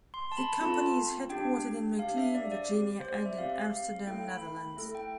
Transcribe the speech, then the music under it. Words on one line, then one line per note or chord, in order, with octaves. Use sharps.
The company is headquartered in McLean, Virginia and in Amsterdam, Netherlands.
C6
A5
B5
C4 F4 A4 A5
D4 G4 G5
D4 G4 F5
E5
D5
D5
C4 G4
C5
D5
E5
C4 G4 F5
F5
A3 E4 A4 G5
B5
A3 E4 A4
G5